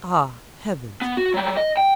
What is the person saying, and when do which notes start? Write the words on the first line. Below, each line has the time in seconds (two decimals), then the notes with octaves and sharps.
'Ah, heavens!
1.02 B3
1.17 F#4
1.34 F#3 G3
1.57 D#5
1.77 G5